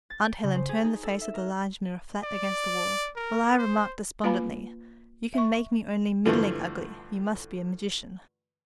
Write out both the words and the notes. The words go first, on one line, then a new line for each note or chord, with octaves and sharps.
Aunt Helen turned the face of the large mirror flat against the wall, while I remarked despondently, "you can make me only middling ugly, you must be a magician."
A6
G5
C#3
C5
G#4
D#4
A4
E5
A#4
D5
A#4
C5
A#3 F4 B4 F5 A#5 B5
E5 C#6
G2 D3 E3 F3 A3